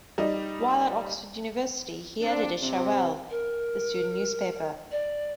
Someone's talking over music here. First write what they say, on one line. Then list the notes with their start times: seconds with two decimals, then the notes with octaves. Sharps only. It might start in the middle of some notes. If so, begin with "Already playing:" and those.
While at Oxford University, he edited "Cherwell", the student newspaper.
0.18 G3 D#4 D#5
2.21 C4 D4
2.61 C3 C4
3.30 A#4
4.91 D5